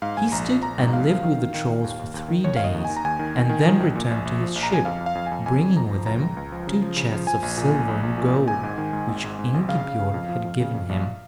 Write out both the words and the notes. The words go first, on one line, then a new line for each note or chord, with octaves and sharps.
He feasted and lived with the trolls for three days, and then returned to his ship, bringing with him two chests of silver and gold, which Ingibjorg had given him.
G#2 F5
G#2 G#5
A#1 A#5
F3
A#1 A#5
G#2
A#1 F5
F3
D#3
D#3
D#3
D#3
D#2
D#2
D#2
D#3
D#2 C#5
D#3 F5
D#5
D#2
D#3 G#5
A#5
D#2 G#5
D#3
D#3
D#3
F3
A#1
A#2
A#1
A#1
F3
A#1
A#5
F3 G#5
F2 F5
F2
F5
F2
G#5
F2
F2 G#5
F2
F2 A#5
F3
C#2 A#5
C#2
C#2
F3
C#3
F3
C#3
F3
F3 G#5
A#1
A#2
A#1
A#1
A#1
A#2
A#2
G#1 G#5
G#2
D#3
G#2
G#1
G#2
G#2
G#1
C#3 F5
C#3
C#3
F2
F3
F2
C#3
F2
A#1